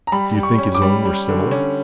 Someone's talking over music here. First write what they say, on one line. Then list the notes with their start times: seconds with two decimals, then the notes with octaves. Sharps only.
"Do you think his own were similar?"
0.07 A#5
0.12 G3 B5
0.35 G3
0.43 C#6
0.58 C#4
0.75 D6
0.82 G3
1.05 G3
1.29 D3
1.51 C#4